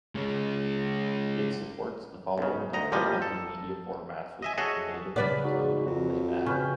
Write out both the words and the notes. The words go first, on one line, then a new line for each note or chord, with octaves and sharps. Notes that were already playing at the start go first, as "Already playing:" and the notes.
It supports the following different multimedia formats which it can natively decode and playback.
G#3 C#4
B1 C#3
D2 D#5 A#5
A1 A#2 F3 G3 D#5
A4
D#5 E5 G#5
F#4 G#4 A4 C#5 D#5 E5
C#3 B4 D5 F#5
G#2 F#3
F2 F#4
C#3 C#4 B4 G5